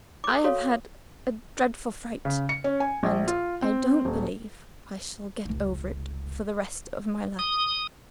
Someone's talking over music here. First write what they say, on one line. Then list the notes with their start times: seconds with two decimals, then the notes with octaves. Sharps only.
"I have had a dreadful fright; and I don't believe I shall get over it for the rest of my life."
0.24 A4 D6
0.44 F#4 A4 C#5 F5
2.25 C#3
2.49 C#7
2.64 C#4
2.80 G#5
3.03 A#1
3.28 F4
3.62 C4
4.05 D#1
5.45 F1 C#2
7.39 D#6